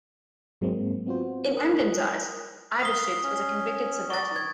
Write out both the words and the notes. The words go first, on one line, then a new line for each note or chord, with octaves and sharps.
In Emden's eyes, Eybeschutz was a convicted Sabbatean.
G#2 F#3 G#3 A#3 C4
B3 C4 F4 F#4 C5
A#4 D#6 F#6
F5 D#6 B6 G7
C#4
D5 C#6 A6
G#6